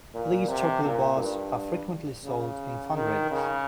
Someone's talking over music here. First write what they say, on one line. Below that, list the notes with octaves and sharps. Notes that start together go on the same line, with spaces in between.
These chocolate bars are frequently sold in fundraisers.
A#2
C3
A#2
G2
C#3
D#3
C#3